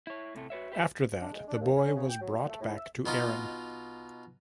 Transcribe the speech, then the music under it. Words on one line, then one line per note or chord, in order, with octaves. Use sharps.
After that the boy was brought back to Erin.
E4 C#5
A2 C3 A3
F#4 B4 C#5 E5
G4 B4 E5
D4
G#3
D4
D#2
C#4
C#3
G5
F#3
A#2
A3
A2
E5
B2 D#4 F4